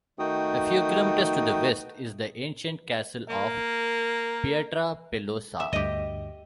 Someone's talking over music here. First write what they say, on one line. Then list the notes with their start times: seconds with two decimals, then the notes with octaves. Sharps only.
A few kilometers to the west is the ancient castle of Pietrapelosa.
0.19 D#3 A3 D#4 F#4 G5 D#6
3.29 A#3
5.60 E5
5.73 D2 G2 D3 G4 D#5